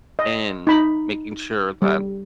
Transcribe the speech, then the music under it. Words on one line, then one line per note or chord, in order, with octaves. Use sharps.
and making sure that
D#5
D#4 B5
G3